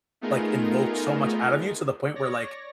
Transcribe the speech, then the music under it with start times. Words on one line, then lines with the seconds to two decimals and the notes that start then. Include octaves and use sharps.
like invoke so much out of you to the point where like
0.21 A3 B3 D#4 F4 G#4 A#4
2.15 C#5 D5 A#6